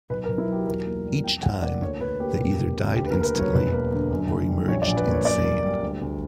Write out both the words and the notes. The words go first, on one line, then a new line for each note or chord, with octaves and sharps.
Each time, they either died instantly or emerged insane.
B1 B4
A#4
B1
E4
F#3 G4
E2 A#4
A#3
G3
E2 G5
E2 F#5
A#3 D5
D2 C#5
D2 B4
A#3 G4
E1 G4
E1
C#3
D2 G4
B4
A#4
A#3
A#4
B4
F#3 C#5
E1 B4
A#3
D3
F#2
F#2
G3
A#1 C#5
D5
A#1
B4
A#3 C#5
F#2 D5
A#3
G3
D2
D2